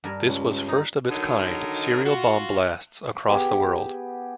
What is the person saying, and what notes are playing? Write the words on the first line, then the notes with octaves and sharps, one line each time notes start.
This was first of its kind serial-bomb-blasts across the world.
G2 A#4
C#2
D#4
D3 D#3 F#3 D#4 A#4
F4 F#4
B3 G4 G#4